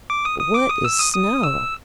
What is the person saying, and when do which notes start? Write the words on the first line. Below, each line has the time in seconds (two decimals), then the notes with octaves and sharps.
"What is snow?"
0.10 D6
0.25 D#6
0.40 D#6
0.54 D6
0.69 D#6
0.85 E6
0.99 D#6
1.13 D#6
1.43 E6